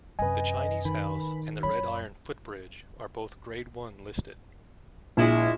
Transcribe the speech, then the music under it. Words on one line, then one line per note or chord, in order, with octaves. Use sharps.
The Chinese House and the red iron footbridge are both grade one listed.
F#2 C3 B4 D#5 G#5
D#3 B5
F#2 C#5 B5
A#1 G#3 E4